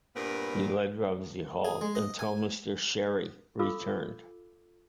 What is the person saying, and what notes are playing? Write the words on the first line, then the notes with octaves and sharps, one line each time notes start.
He led Rumsey Hall until Mr. Sherry returned.
G2 A#2 B3 C4 D4 A#4
G#4
G#3
D#5
G#5
F4 A4 F5 D6 E6